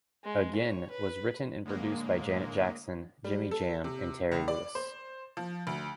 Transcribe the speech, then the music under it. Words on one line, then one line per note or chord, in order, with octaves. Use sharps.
"Again" was written and produced by Janet Jackson, Jimmy Jam and Terry Lewis.
G#3
C#5
B4
A2 D3 G#3 A#3
G3
A4
C3
C#2
D5
C5
F3
D2